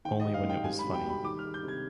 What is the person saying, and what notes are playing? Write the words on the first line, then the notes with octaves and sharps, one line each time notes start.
Only when it was "funny"!
D#3 G5
D#5
G3
F5
G#2
G5
G3 G#5
B5
B2
G5
G3 B5
D#3 D6
F6
G#3
G6
C3
G#6